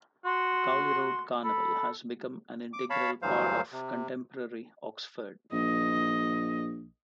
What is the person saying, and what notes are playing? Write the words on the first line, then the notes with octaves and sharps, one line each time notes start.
Cowley Road Carnival has become an integral part of contemporary Oxford.
F#4 C6
A4 B5
D6
C#5 F5 A5 B5
D2 G2 E3 F#3 C5 F5
C3
A#1 D#5